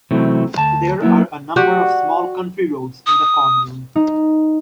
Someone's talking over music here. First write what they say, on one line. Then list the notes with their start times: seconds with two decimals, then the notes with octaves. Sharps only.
There are a number of small country roads in the commune.
0.11 C3 E3 F#3 A3 C4
0.57 D2 A5
1.02 F#3 A#3 B3 E4
1.56 F#4 G4 D5
3.06 D#6
3.95 D#4